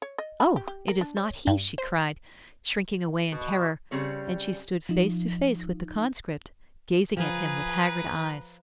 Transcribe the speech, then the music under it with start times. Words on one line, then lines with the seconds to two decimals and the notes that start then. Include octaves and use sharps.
"Oh! it is not he!" she cried, shrinking away in terror, and she stood face to face with the conscript, gazing at him with haggard eyes.
0.02 C#5
0.18 D#5
0.40 B5
0.56 G4
0.67 G4
0.88 A#4
1.01 D4
1.17 C#5
1.47 G2
1.78 C5
3.32 B2
3.91 C#3 G3 C4 C#5
4.89 F3 D#4
7.17 F3 G#4 B4 A#5